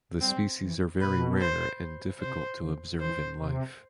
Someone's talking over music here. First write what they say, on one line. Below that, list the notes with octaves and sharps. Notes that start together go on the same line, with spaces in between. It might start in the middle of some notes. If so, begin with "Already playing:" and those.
The species are very rare and difficult to observe in life.
G3 C4
E3
B2 B4
C5
C3 C5
D3
E3 C5
C3